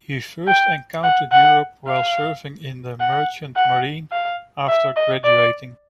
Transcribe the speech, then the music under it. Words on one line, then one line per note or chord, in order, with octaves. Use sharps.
He first encountered Europe while serving in the Merchant Marine after graduating.
G5
F#5
F#5
F5
F#5
F#5
F5
E5
D#5
D5